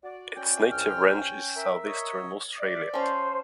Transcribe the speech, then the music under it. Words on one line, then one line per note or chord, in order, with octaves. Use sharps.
Its native range is Southeastern Australia.
F#4 D5
C#4 G5
C2 F6
A#4 E5
C#5 D#5
D5 E5
F3 C#4 C5